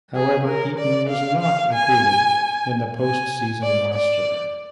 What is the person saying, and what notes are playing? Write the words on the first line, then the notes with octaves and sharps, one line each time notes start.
However, Eaton was not included in the postseason roster.
G#4
A#4
D5
F5
F5
G#5
G#5
D5
D5